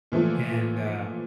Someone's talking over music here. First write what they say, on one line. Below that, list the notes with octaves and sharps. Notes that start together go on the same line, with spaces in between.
And, uh.
A#2 E3 F3 A3